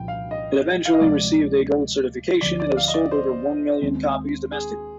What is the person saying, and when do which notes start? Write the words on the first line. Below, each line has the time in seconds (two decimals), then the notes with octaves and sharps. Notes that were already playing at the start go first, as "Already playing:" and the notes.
It eventually received a gold certification, and has sold over one million copies domestically.
Already playing: C2 A#2 F3 G5
0.08 F5
0.31 D#5
0.85 F5
0.93 D#5
1.01 D2 C3 F3 G#3 D5
2.41 D2 D3 F3 D5
2.60 D5
2.77 F5
2.88 D#5
2.94 D5
3.11 C5
3.82 D#2 D#3 G#3 C4
4.52 G#4